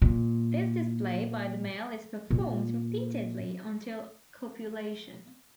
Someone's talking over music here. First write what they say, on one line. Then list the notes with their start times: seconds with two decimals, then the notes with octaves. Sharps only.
This display by the male is performed repeatedly until copulation.
0.02 A#2
2.31 A#2